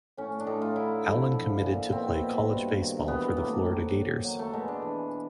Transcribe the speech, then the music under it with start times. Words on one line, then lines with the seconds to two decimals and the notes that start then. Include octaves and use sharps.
Allen committed to play college baseball for the Florida Gators.
0.17 A2 C#4
0.40 D4
0.47 A2 D#4
0.62 F4
0.75 D3 E4
1.04 F3
1.33 F3
1.63 A#2
1.92 B2 C4
2.21 B2
2.50 G2
2.79 D#3
3.08 E3 B3
3.37 A2 A#3
3.66 D#3
3.95 F#2
4.24 F#3
4.39 A3
4.53 B2 G#3
4.68 D4
4.82 E3